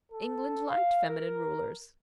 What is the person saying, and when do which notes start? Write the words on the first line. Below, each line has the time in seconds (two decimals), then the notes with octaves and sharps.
England liked feminine rulers.
0.11 A4
0.69 F5
1.06 A#4